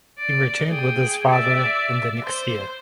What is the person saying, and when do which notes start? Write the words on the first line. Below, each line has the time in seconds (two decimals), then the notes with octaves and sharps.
He returned with his father in the next year.
0.18 D5
0.68 G#4 G5
1.30 D5 E5
2.24 C5